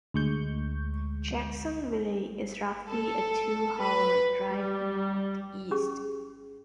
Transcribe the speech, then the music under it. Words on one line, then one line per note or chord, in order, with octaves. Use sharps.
Jacksonville is roughly a two-hour drive northeast.
D2 G#3 C#6 G6
A4
B4
G3
C#4 G4 G#4